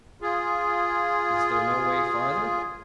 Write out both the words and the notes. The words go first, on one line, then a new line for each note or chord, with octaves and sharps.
"Is there no way farther?"
F4 G#4